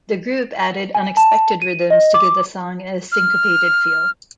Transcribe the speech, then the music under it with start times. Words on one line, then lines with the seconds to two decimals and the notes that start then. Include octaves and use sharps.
The group added unexpected rhythms to give the song a syncopated feel.
0.95 G#5
1.17 A5
1.62 D#7
1.90 D#5
2.14 D6
3.12 F6